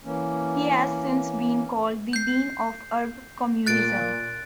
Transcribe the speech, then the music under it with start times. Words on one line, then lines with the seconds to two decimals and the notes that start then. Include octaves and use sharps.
He has since been called the dean of Arab communism.
0.05 E3 A#3 C#4
2.13 G6 C7
3.66 A#2 F#6 A6 D7